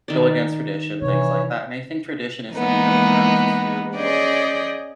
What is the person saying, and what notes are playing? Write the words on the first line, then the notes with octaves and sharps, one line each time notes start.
go against tradition, things like that, and I think tradition is something that we have to
D#3 D5
C3 E3 C#5
E3 G#3 A#3 B3 D#4
C#4 G#4 D5 D#5 G6